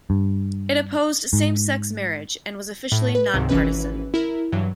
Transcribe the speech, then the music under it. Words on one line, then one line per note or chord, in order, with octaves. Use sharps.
It opposed same-sex marriage, and was officially non-partisan.
G2
G#2
A2
B4
C#2 G#2 C3 D#3
G#1 E3 C#4 B4
E4 A#4
G2 E3 F#3